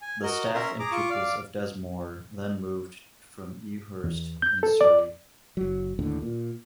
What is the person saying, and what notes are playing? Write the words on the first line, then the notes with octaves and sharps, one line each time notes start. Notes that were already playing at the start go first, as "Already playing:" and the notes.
The staff and pupils of Desmoor then moved from Ewhurst in Surrey.
G#5
F#4 A#4 D#5
C#4 A#4 E5 A#5 C6
G#4 A#5 D6
F4 C#6 D6
D5 F5
E2
G6
A4
D5
F#1 F#3
D#2 A2 D3
A#2